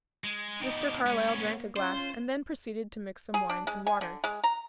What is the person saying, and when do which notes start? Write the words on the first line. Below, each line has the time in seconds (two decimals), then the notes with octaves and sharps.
Mr. Carlyle drank a glass, and then proceeded to mix some wine and water.
0.24 G#3
0.61 B2 D#4 G4
1.07 G#3 B3 C#4
1.36 A#3
1.77 C#4 F4 C5
3.34 G#4
3.49 D4
3.67 G#3
3.87 G#5
4.01 D3
4.24 G#3
4.44 A#5